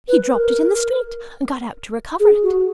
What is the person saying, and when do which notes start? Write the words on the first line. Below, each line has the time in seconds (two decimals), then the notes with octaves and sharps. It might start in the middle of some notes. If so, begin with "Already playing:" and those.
He dropped it in the street, and got out to recover it.
0.08 B4
0.32 A#4
2.20 G#4
2.43 F#4